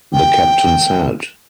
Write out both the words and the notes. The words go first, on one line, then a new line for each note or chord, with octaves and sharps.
The Captain said.
G5